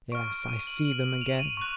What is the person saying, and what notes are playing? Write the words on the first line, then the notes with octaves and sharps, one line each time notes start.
Yes; I see them again.
C#6 F6 D7
D#7
F#7
F#7
F#7
F7
D#7
C#6 F#6